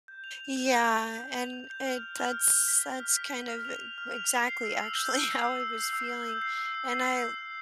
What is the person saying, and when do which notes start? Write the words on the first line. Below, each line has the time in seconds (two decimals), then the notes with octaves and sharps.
Yeah, and it that's that's kind of e exactly actually how I was feeling. And I
0.08 G6
0.24 F7
0.41 F7
0.56 G6
0.73 G6
0.88 G6
1.05 G6
1.21 G6
1.38 F7
1.53 G6
1.70 G6
1.86 F6
2.03 F6
2.19 F6
2.35 F6
2.52 F6
2.68 B6
2.84 B6
3.00 F6
3.17 B6
3.32 B6
3.48 F6
3.65 F7
3.82 F7
3.98 F6
4.14 F7
4.31 F7
4.46 C7
4.63 E6
4.79 E6
4.95 G6
5.11 E6
5.28 G6
5.44 E6
5.60 E6
5.77 C7
5.93 E6
6.10 E6
6.25 G6
6.42 C7
6.58 E6
6.75 E6
6.90 C7
7.06 G6
7.22 E6
7.39 E6